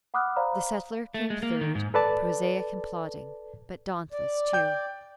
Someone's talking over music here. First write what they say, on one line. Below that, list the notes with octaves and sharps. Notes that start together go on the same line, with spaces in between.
The settler came third, prosaic and plodding, but dauntless too.
F#5 B5 D6 D#6 F6 F#6
C5 D5 F5 A#5 B5
A3
G#3
A#3
D#3
G#2
A4 B4 D5 A5
D5
G5 G6